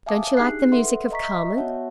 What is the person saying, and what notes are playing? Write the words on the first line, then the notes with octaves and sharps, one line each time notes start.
Don't you like the music of CARMEN?'
E5 F5 G#5 A5 D6 D#6
D4 D#4 G4 G#4 F#6 C7
A4 B4 E5 F#5 C6
D#5 E5 A#5 C#6 B6
D#5 E5
B3 F#4 C#5 E5 F#5 A5